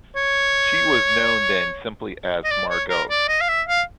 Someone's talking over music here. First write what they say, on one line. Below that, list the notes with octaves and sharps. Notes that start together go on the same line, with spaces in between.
She was known then simply as Margox.
C#5
D#5
D5
C#5
A#4
D5
D#5
F5
E5
F5